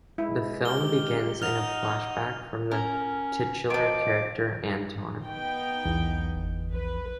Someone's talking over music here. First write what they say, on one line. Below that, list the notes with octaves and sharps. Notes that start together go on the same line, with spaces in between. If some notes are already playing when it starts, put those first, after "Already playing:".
The film begins in a flashback from the titular character, Antoine.
G#3 E4
G4 F6 G7
D#4 F#5 F6 F7
C#4 A#4
D#3 F3 D6
B3 D#4 G5
B1 E2 E3
G1
A#1 B4